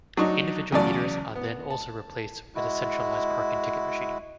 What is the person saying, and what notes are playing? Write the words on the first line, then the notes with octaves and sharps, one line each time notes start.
Individual meters are then also replaced with a centralized parking ticket machine.
F#3 D4 D#4 C#6
E2 C#3 F#3 D5 A5
B3
A5
G#3 E4 F#4